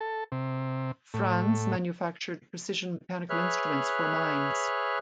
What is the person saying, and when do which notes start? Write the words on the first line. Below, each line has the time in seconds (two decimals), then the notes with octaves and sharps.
Franz manufactured precision mechanical instruments for mines.
0.01 A4
0.32 C3
1.14 A2
3.30 G#4 B4 C#5 E5 F6 F#6